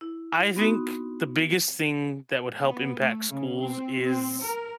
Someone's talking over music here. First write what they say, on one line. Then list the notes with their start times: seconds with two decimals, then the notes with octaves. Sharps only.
I think the biggest thing that would help impact schools is
0.01 E4
0.56 B3 C4 D#4 F#4
2.63 B3
3.00 A3
3.31 C#3
3.61 C4
4.05 C4
4.43 A#4